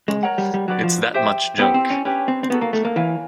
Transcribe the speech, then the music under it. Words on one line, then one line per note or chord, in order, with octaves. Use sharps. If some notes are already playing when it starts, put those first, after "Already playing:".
It's that much junk.
G#3
A#4 C#5 F#5 A#5
G3
G3
F#3 D4 F#4 B4 D5
F3
G4 C5 E5 G5
B3 E4 G4 C5
C4
C#4
C#4 D4 G4 B4
C4
C4
B3 D#4 F#4 A4
A#3
A3
A#3
E3 A#4 C#5 F5 G#5